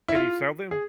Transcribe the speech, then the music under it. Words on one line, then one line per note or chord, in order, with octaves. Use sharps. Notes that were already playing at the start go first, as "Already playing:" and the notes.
Can you sell them?
E4
F4
G#4